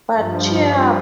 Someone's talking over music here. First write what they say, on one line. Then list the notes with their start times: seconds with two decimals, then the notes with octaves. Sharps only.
But cheer up!
0.15 G2 F3